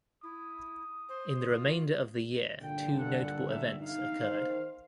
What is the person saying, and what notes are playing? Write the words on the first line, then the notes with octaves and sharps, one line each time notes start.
In the remainder of the year two notable events occurred.
E4 D#6
C5
F4
G2 A#2 D3 G5
A4 F#5
A#3 E5
D#4 F5
D#3 C5